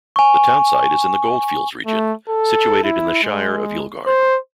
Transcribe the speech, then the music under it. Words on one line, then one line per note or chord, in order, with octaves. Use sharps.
The townsite is in the goldfields region, situated in the Shire of Yilgarn.
G#5 C#6
A3
A4
E4
G#3
C5